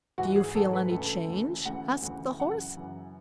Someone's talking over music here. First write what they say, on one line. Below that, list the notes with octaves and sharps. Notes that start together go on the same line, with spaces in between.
'Do you feel any change?' asked the Horse.
G#2 E3 F#4
G#4
G#2 E3 A4
B4
D2 C#3 E3 A4
D2 C#3 E3
D2 C#3 E3 F#5
D2 C#3 E3
F#2 C#3 E3 F#5
F#2 C#3 E3